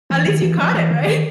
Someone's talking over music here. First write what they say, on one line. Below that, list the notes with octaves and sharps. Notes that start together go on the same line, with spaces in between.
At least you caught it. Right?
E3
D#3
E3
F3
E3
D#3
D#3